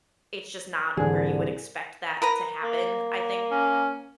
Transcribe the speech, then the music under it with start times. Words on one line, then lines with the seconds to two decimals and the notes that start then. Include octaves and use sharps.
it's just not where you would expect that to happen, I think,
0.97 C2 G#2 D3 E3 G#4
2.22 A#4 B4 A#5
2.63 A#3
3.51 C#4